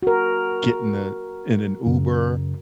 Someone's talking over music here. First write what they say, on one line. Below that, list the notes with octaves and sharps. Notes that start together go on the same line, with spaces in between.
get in the in an Uber,
F#4 A#4
F#2 C#3